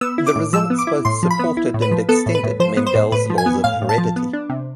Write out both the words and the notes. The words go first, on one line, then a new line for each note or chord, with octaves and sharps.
The results both supported and extended Mendel's laws of heredity.
B3 E6
E4
D6
A2
F3 E6
B3
D6
E4
A2 C6
F3
B5
B3
E4
A2
B4
F3
B3 A4
A2
B4
A2
F3 C5
B3
C5
A2
A2 B4
F3
G#5
B3
A2 F5
A2
A5
F3
B3
D4
C3